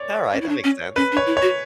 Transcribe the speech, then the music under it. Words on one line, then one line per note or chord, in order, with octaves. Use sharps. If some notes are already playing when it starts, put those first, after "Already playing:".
All right, that makes sense.
Already playing: C#5 D5
C#4
E4
D4
C#4
C#4 B4
D4
C#5
E4
C#5
F#4